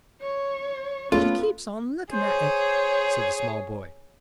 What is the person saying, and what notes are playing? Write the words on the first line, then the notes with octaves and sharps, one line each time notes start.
"She keeps on looking at it," said the small boy.
C#5
A3 B3 C#4 F4 A4
G#4 C5 C#5